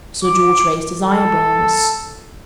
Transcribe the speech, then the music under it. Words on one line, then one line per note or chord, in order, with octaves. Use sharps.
Sir George raised his eyebrows.
D6
A4